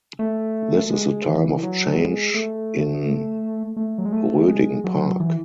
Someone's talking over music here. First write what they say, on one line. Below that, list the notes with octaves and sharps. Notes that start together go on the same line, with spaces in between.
This is a time of change in Roeding Park.
A3
G#3
E3
F#3
G#3
A3
A3
F#3
G#3
A3
G#3
F#3
E3